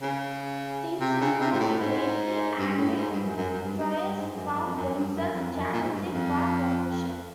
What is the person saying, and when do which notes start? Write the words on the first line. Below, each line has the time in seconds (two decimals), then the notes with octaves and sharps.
Things improved greatly and Troyes found themselves challenging for promotion.
0.02 C#3
1.00 C3
1.21 C#3
1.40 C3
1.52 G#2
1.60 A2
1.80 G#2
2.58 G2
2.77 A2
2.97 G#2
3.11 G2
3.24 F#2
3.36 F#2
3.50 F#2
3.63 G2
3.77 G2
3.95 G2
4.16 G#2
4.35 F#2
4.55 F#2
4.65 F2
4.75 F#2
4.94 G2
5.14 F#2
5.33 F2
5.53 F#2
5.73 A#2
5.83 G#2
5.93 G2
6.03 F#2
6.12 F2
6.91 F2